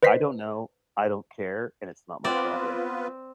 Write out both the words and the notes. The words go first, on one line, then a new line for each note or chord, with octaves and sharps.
I don't know. I don't care. And it's not my problem.
B4 C5 D#5 B6 C7
B3 C4 F4 B4 D5